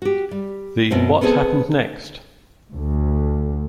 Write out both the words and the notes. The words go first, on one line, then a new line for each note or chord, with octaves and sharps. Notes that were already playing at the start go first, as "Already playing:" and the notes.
The What Happened Next?
F#4 G4
G3
F#2 B2 B3 C4
B3 C4 E4 G#4 A4
D2